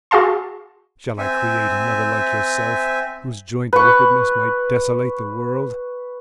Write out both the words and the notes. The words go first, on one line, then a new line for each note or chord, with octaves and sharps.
Shall I create another like yourself, whose joint wickedness might desolate the world.
F#4 G#4 F5 A5 C6
C4 E5 G#5
B4 C#6